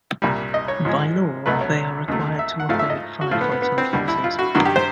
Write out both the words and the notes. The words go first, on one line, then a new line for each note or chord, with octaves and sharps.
By law, they are required to operate fire-fighting forces.
C2 A#2 G3
D#5
C#5
G#2 F3 G#3
C2 B2 F#3 A3 B4
C#5
D#2 C#3 F#3 A3
E5
F#5
G#2 F3 A3 F5
E5
D#5
F#4
A2 F3 A3 F4
B3
B3
B3
C4
D#2 D3 G3
E4
F4
F#4
G2 D#3 F#3 F#4
G4
C5